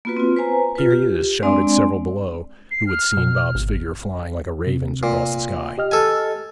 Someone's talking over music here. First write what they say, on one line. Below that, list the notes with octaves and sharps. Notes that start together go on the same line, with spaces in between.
'Here he is!' shouted several below who had seen Bob's figure flying like a raven's across the sky.
A#3 B3 F4 F#4 B4
C4 F4
B4 C5 G#5 A#5
F4 B4
G4
G#3 C4 D4 D5 G#5 C6
C7
F6
B2
G#1
C3
A#2
G4 D#5 F6
A4 G#5